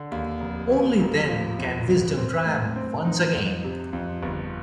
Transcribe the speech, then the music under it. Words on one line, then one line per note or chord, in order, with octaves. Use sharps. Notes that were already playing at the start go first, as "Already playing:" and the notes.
Only then can wisdom triumph once again.
Already playing: D3
D#2
F1
D#2
F1
F3
F2
F1
C4
A2
C4
D#4
F2
C3
F2
G1